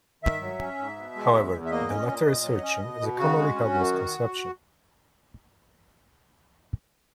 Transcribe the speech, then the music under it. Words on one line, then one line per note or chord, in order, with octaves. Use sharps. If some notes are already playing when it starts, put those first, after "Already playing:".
However, the latter assertion is a commonly held misconception.
D#3 E5
F#3
C#4
G#2
B2
G#3
E2
E2
E5
A#3 D#5
C#4
A#2
A#2
F#3
C#4
B2
B2
C#3 F#4
G#3
C#4
F#2
D#3